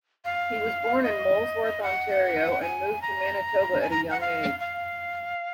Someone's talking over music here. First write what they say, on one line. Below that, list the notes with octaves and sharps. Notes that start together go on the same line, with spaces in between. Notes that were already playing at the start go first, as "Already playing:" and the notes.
He was born in Molesworth, Ontario, and moved to Manitoba at a young age.
F5
D#5
F#5
G#5
A#5
G#5
A#5
F#5
F5
F5